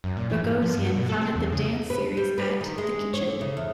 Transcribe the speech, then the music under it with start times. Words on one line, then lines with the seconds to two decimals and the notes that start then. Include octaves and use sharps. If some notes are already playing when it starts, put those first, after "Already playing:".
Bogosian founded the dance series at The Kitchen.
0.04 F#2
0.17 A#2
0.30 E3
0.44 G#2
0.62 F3
0.77 G2
0.96 B2
1.09 A4
1.21 C4
1.36 E2
1.52 C#3
1.90 B4
2.17 G3
2.38 B4
2.61 D#3
2.78 G#3
3.14 C#5
3.27 D3
3.41 C#3
3.57 E2